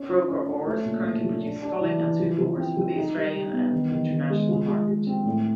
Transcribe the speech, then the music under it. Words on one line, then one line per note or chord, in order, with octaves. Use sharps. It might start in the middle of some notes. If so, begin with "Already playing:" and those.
Croker Oars currently produce sculling and sweep oars for the Australian and international market.
Already playing: C#4
F4
C#4
C#4
A3
A#2
A#2
F3
D4
D4
E3
E3
F3
F3
C4
F3
D#4
G3
G3
B3
D#3
D#3
D#3
G#3
F3
G#3
G#3
C4
A2